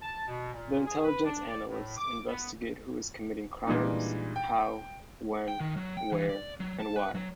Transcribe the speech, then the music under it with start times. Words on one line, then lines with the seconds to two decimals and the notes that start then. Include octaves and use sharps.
The Intelligence analysts investigate who is committing crimes, how, when, where and why.
0.02 A5
0.27 B2
0.53 A#2
0.85 G#4
1.03 B4
1.24 D4
1.49 D5
1.67 A2
1.97 D6
2.28 B3
3.67 A#2 E3 G3 G#3 D4 D#4
4.36 G5
5.48 G5
5.60 D#3
5.77 F#3
5.97 G5
6.12 E3
6.29 D5
6.60 F#3
6.80 A5
6.96 B4
7.15 F#3